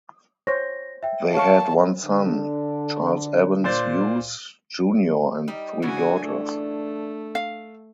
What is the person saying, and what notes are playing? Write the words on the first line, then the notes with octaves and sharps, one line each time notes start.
They had one son, Charles Evans Hughes Junior and three daughters.
C5 C#5 A#6
E5 G5
C#5 F5 A5 C#6
D3 D4
A#2 C5 D5
G3 D#4 D#5
A2 C#3 E3 D4 F#4 G#5
A3
F5